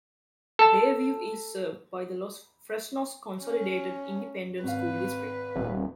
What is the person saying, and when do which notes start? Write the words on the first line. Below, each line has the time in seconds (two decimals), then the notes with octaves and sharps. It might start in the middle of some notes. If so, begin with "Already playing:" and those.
Bayview is served by the Los Fresnos Consolidated Independent School District.
0.59 A4 A5
3.42 C#4
4.63 G#1 B4 F5
5.56 D#1